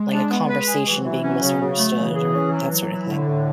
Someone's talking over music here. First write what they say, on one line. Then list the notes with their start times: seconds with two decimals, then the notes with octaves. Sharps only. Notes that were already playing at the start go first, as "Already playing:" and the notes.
like a conversation being misunderstood or that sorta thing?
Already playing: G#3
0.12 D4
0.31 B3
0.49 B4
0.68 G#4
0.86 E3 F#3
1.05 E3
1.23 C#4
1.42 C#3
1.60 C#3
1.79 A3
1.97 C#3 E3
2.16 G#4
2.34 C#4
2.53 F#3
2.71 F#3
2.90 E4
3.08 A2 D3
3.27 A2